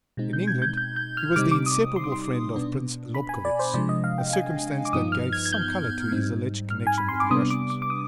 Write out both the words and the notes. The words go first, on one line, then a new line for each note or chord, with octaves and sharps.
In England, he was the inseparable friend of Prince Lobkowitz--a circumstance that gave some color to his alleged connection with the Russians.
B2 G#3 C4 D#4
G6
G#6
G6
G6
G6
F6
C3 G3 C4 D#4 D6
D6
D#6
D6
C6
D6
C6
B2 B3 D4
B5
G#5
D5
C5
C3 F3 G#3 D4 D5
D#5
F5
G5
G#5
D6
G2 F3 B3 D#4 D#6
F6
G#6
G#6
G6
G#2 G3 C4 D#4
F6
G#5
B5
C6
D6
C3 G3 B3 D4 D#6
D6
D6
D6
D#6